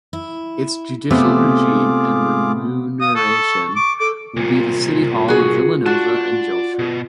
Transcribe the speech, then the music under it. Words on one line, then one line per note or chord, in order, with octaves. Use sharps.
Its judicial regime and remuneration will be the City hall of Vilanova and Geltrú.
E4
C3 A3 B3 F4 G#4 D6
F5 D#6
A4 C#6
C#6 D6
A4 D6
C2 A#2 F4
F#4 G#4
F#4 D5 A5
B2